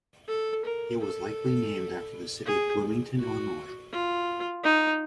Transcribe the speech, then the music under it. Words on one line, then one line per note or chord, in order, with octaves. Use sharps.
It was likely named after the city of Bloomington, Illinois.
A4
A#4
A4
G#4
F#4
F4
D#4